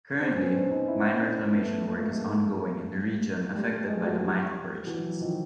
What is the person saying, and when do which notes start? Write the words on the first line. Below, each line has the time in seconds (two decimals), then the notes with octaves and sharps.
Currently, mine reclamation work is ongoing in the region affected by the mine operations.
0.21 C4 D4
0.37 B3 C#4
0.54 C4 D4
0.71 C#4 D#4
0.87 D4 E4
1.21 C4 D4
1.55 A3 B3
1.88 A#3
1.99 A3
2.11 G#3 A#3
3.54 G3 A3
3.88 G#3
3.97 A3
4.05 F#3 G#3
4.21 F3 G3
4.87 E3 F#3
5.21 D#3 F3